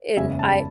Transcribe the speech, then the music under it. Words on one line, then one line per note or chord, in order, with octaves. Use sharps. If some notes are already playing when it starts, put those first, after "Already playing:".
and I
F#1 E2 C#3 G#3 C#4 E5 G#5
A5
B5